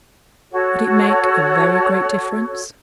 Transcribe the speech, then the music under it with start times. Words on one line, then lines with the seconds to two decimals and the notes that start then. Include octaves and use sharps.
Would it make a very great difference?
0.51 F#4 A4 C#5